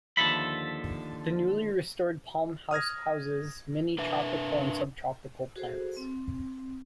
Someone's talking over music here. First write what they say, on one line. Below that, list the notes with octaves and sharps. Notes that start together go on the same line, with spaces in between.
The newly restored Palm House houses many tropical and subtropical plants.
D#2 D3 F3 A4 E5 B5
D#6 F6 G#6 A#6
D4 B4 E5
F#4 G#4 A4 C5
C4